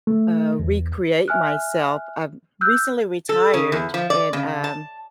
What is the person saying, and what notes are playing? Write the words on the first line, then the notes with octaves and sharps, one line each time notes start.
uh, recreate myself. I've recently retired and, um
A3
E2
E5 G#5 F6 F#6
E6 F#6 G6
A4
C#3
E2
F3
D5
C#3
A5